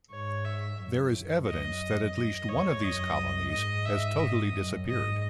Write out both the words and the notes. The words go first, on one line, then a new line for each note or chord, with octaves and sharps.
There is evidence that at least one of these colonies has totally disappeared.
G#2 C#5
E5
F#2
F#2
D#5
D#5
E2 C#5
F#2 D#5
G#2 D#5
E5
D#5
F#2
G#2 D#5